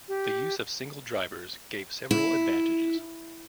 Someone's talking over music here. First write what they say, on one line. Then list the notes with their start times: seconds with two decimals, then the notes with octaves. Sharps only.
The use of single drivers gave several advantages.
0.08 G4
2.11 E4